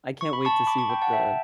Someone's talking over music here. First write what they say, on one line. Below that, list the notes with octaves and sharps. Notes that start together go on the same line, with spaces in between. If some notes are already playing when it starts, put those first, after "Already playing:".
I can't wait to see what the
C#6
B5
A5 C#6
B5 D6
A5 C#6
G5 B5
F#5 A5
E5 G5